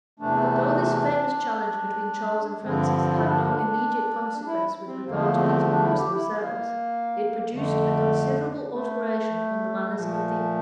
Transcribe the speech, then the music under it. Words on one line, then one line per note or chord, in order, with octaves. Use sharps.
But though this famous challenge between Charles and Francis had no immediate consequence with regard to these monarchs themselves, it produced a considerable alteration on the manners of the age.
E2 C3 E3 A3 D4
G2 D3 F3 C4
F4
E4
D4
E4
C4
E2 D3 F3 A3 A#3
C4
D4
E4
G4
E4
A#3
F2 D3 A3
A3
A#2 F3 A3